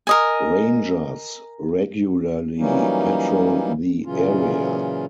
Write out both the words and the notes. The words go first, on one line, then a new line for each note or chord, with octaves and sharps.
Rangers regularly patrol the area.
A#4 D#5 G#5
E3 F#3 G3 A#3 C#4 D#4
A#2 C#3 E3 F#3 C#4 F4